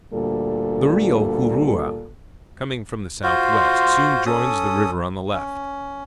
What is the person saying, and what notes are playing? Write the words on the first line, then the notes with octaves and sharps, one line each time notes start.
The Rio Jurua, coming from the southwest, soon joins the river on the left.
D2 A#2 G3 A4
F4 F#4 C5
C#4 A4 D#6
C#4